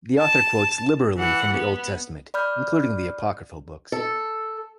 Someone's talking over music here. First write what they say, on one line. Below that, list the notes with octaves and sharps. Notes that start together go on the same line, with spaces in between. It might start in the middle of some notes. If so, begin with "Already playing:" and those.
The author quotes liberally from the Old Testament, including the apocryphal books.
A5
E3 F#5
B3
D5 B5 F6 G6
A4